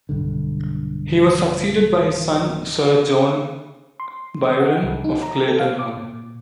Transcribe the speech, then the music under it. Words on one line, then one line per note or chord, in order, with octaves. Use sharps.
He was succeeded by his son Sir John Byron of Clayton Hall.
B1 G2 D3
C6
D#6
F#5
C2
D#4
A#5
A4
F5
D6
A#2